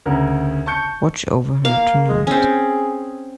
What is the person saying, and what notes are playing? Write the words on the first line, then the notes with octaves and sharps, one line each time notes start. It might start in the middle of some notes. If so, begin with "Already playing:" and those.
Watch over her tonight.
D2 C#3 A#4 F#5
A5 C#6 G6 C#7
A#3 F5
G#3
C4 C#4 G#4